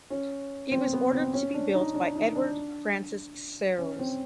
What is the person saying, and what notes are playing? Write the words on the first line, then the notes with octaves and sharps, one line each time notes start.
It was ordered to be built by Edward Francis Searles.
C#4
C4
B3
C4
C#4
D4
D#4
D4
D#4
D4
C#4
C4